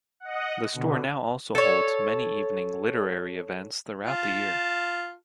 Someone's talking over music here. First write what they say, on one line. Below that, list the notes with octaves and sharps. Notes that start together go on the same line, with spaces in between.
The store now also holds many evening literary events throughout the year.
D#5 F#5
B2 D3
A4 C#5
F4 A5